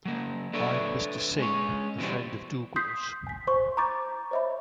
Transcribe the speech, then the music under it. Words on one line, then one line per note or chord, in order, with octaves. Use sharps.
I'm Mr. Singh, a friend of Dougal's.
F#3 A#3
D4 A4 B4 C#5 D5 E5
G#3 C#4 C#5
B2 E3 G3 C4
C6 D#6 G6 B6 C7
G#5 B6
C5 C6 C#6
A#5 B5 C#6 D6 G6 A6
C5 C#5 D#5 E5 B5